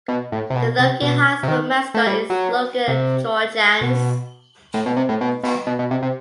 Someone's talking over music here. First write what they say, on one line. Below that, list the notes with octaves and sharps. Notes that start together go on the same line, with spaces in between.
The Logan High School mascot is Logan Trojans.
B2
A2
C3
B2
C3
B2
C3
D#3
A3
G3
F#3
C3
B2
A2
B2
C3
A2
B2
B2
B2
B2
C3
C3